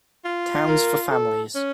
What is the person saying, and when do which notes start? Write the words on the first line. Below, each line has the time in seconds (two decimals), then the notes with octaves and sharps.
Towns for Families.
0.25 F4
0.68 A#4
1.11 A4
1.55 C#4